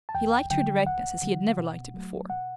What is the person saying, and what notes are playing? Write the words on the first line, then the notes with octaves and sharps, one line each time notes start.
He liked her directness as he had never liked it before.
A5
E2 G5
D3 F#3 G5
E2 F#5
D3 F#3
B2
F#3 A3
B2 F#5